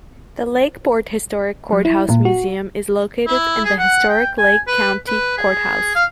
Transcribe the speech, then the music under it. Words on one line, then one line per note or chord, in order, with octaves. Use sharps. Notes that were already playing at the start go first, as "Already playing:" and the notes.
The Lakeport Historic Courthouse Museum is located in the historic Lake County Courthouse.
F#3
E4
A#2
F#4
E4
G#4
F#5
G5
G#5
B4
B4
G#4
F5